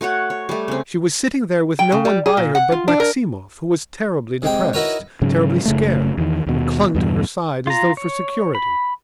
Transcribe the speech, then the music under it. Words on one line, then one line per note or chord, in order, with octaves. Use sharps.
She was sitting there with no one by her but Maximov, who was terribly depressed, terribly scared, and clung to her side, as though for security.
A3 F#4 C#5 F#5
C#5
G3 A3
C#3 C4
G5
C#3
G3
G#4
A#2
F#5
F4
D4
A#4
C3 G#3 G5
D#4 E4 F#4 A#4 B4 C#5
G#2 C#3 F#3
F#1 C#3 A3
E2 D#3
D#2 B2
E2 G2 B2
F4 A#5
C#5
B5